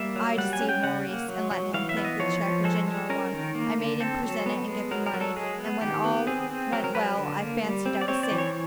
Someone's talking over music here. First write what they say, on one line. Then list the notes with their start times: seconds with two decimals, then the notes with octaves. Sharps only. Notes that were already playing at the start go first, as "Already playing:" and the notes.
I deceived Maurice, and let him think the check a genuine one; I made him present it and get the money, and when all went well I fancied I was safe.
Already playing: G3 A#3 E5
0.16 F#3
0.38 G3 F#5
0.53 G#5
0.61 C#4
0.69 G5
0.83 C#3 F#5
1.06 A#3
1.28 F#3
1.51 F#3
1.74 E3 F5
1.89 E5
1.97 B3
2.05 D#5
2.19 F3 C#5
2.42 F3
2.64 G#3 A4
2.87 G#3
3.09 C#4 A#4
3.32 D#3
3.55 A#3
3.78 D3
4.00 C4 A4
4.23 F#3
4.46 B3
4.68 G#3
4.91 F#3 A#4
5.06 A#4
5.14 F#3
5.21 A4
5.36 G#3 G#4
5.58 B3
5.81 D#3 G4
6.05 B3
6.27 C4 G#4
6.50 C4
6.72 F#3 A#4
6.84 A#4
6.95 F#3 B4
7.18 D3
7.40 A#3
7.63 G3
7.86 C4
8.01 D5
8.08 C4 C#5
8.23 D5
8.31 E3
8.38 C#5